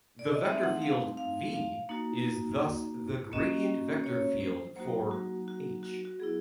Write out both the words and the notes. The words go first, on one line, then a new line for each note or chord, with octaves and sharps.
The vector field "V" is thus the gradient vector field for "h".
D5
D#5
A3 C4 D#4 E5
F#5
F5
F5
F5
A#3 D#4 F#4
A#3 C#4 F#4 D#5
C#5
C5
F#3 A#3 D#4 F#4 C5
F#4
F#4
F#4
F#4
F#3 B3 E4 G#4